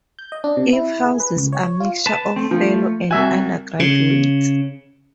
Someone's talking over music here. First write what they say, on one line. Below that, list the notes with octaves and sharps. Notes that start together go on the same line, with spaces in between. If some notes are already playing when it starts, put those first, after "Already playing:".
It houses a mixture of fellows and undergraduates.
G6
D#5
D4
C3
E4
G#4
B4
C#2
C#5
F4
B4 A5
A3 C4
F3 A3
C2 F#4 E5 G#5
C#3